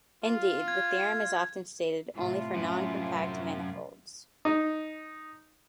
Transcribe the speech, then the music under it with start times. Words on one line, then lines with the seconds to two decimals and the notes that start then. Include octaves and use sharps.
Indeed, the theorem is often stated only for non-compact manifolds.
0.24 F4
0.68 G#6
2.14 A2 C3 F4
2.54 F#2
4.45 D#4